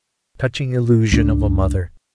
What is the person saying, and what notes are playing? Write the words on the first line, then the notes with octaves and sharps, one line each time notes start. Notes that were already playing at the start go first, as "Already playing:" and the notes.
Touching illusion of a mother!
C#2 C4 D4